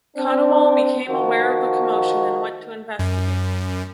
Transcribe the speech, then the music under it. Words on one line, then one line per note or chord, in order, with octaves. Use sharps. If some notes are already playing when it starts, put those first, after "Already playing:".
Konowal became aware of a commotion and went to investigate.
C4 D4
D#3 F3 F#4
F#2